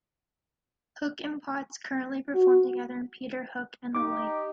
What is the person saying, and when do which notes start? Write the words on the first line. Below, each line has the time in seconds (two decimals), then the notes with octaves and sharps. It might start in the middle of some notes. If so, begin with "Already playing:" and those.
Hook and Potts currently perform together in Peter Hook and The Light.
2.34 F#4
3.95 D#4 G4 D6